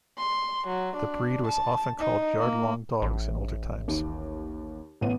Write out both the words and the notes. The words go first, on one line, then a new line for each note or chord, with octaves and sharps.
The breed was often called "yard-long dogs" in older times.
C6
F#3
D4
A5
D#4
A#3
A1
D#2
A1 B3 D#7